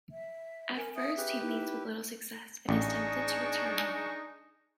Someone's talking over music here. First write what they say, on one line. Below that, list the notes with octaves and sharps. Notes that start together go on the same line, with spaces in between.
At first he meets with little success, and is tempted to return home.
E5
A#4 G#5
E5 D#6
G4 G#4 B4
D#4 E4
A1 D4 D#4 G#4 C#6